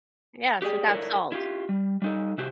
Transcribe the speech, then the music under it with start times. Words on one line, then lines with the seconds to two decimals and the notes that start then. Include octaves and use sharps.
Yes, without salt.
0.62 G4 G#4 D5 G5
0.88 E4 A4 A#4 C#5 D5
1.32 E4 F4 G4
1.69 G3
2.02 G3 D#4 A4
2.38 C3 E4 F#4 G4